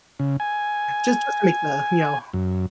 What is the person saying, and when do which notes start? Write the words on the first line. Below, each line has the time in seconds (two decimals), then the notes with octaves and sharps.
just just to make the, you know,
0.20 C#3
0.40 G#5
2.33 F#2